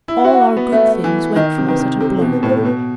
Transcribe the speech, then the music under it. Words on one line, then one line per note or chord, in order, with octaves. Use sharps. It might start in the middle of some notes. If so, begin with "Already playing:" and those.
All our good things went from us at a blow.
E4
F#5
F#4 E5
F#5
B3
A3 E5
E3
D#3 D#5
C3
D#3 B4
C3
C3 A4
A4
B2
B4
A2 B4
C5
A4
B2 B4